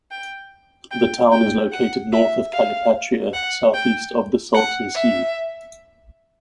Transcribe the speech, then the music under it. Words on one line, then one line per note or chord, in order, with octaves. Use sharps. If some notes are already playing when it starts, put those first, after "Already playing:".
The town is located north of Calipatria, southeast of the Salton Sea.
G5
G5
G5
F#5
E5
F5
F#5
G5
F#5
E5